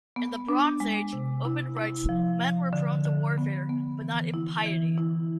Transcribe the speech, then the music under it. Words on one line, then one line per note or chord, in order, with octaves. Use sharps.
In the Bronze Age, Ovid writes, men were prone to warfare, but not impiety.
B3
D4
G#3
C3
E4
E4
F3
F3
D3
D3
B3
B3
E3
E4
E3
E4